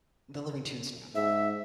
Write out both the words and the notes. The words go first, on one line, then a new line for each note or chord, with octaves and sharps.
The Living Tombstone.
G#2 E5